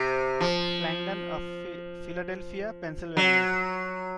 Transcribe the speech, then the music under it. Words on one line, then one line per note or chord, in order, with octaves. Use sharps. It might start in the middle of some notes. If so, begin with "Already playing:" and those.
Flanagan of Philadelphia, Pennsylvania.
Already playing: C3
F3
F#3